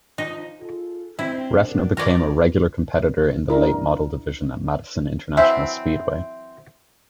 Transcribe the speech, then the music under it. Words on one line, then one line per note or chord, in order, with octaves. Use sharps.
Reffner became a regular competitor in the late model division at Madison International Speedway.
D#3 F3 D#4
F4 G#4 A4
C4 E4
D4 F#4 A#4
F2 B3 C4 A#4 C#5 D5
D4 E4 A#4
E3 F#3 C4 E5